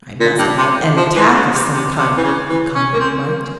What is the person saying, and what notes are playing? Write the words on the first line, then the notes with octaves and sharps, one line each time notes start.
"I must have had an attack of some kind," he calmly remarked.
A#2
G2
C3
F3
E3
C#3
C3
C3
C3
E3
C#3
E3
C#4
A#3
C4
A#3